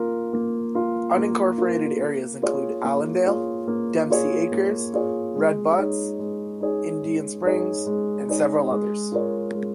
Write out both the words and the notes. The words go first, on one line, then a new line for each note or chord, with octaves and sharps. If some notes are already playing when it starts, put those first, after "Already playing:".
Unincorporated areas include Allendale, Dempsey Acres, Red Buttes, Indian Springs, and several others.
Already playing: A#3 F4 A#4
A#3
F4 A#4
A#3
F4 A#4
A#3
F4 G#4 C#5
A#3
F4 G#4 C#5
A#3
F4 G#4 C#5
A#3
F4 G#4 C#5
G#3
D#4 G#4 C#5
G#3
D#4 G#4 C#5
G#3
D#4 G#4 C#5
G#3
D#4 G#4 C#5
G#3
F4 A#4 C#5
G#3